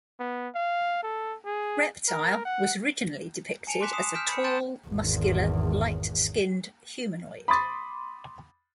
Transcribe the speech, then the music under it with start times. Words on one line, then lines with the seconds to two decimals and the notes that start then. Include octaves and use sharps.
Reptile was originally depicted as a tall, muscular, light-skinned humanoid.
0.20 B3
0.55 F5
1.03 A4
1.45 G#4
2.08 A#4
2.45 F#5
3.67 G#5 A5 C#7 D7 F7
3.81 C6 D6 F#6 B6 E7
3.93 D#6 C7 E7
4.14 F6 G6 B6 D7 E7
4.28 B5 C#7
4.44 A5 C6 G6 A6 D7 E7
4.88 G#1 E2
7.48 B5 C6 D6 D#6 A6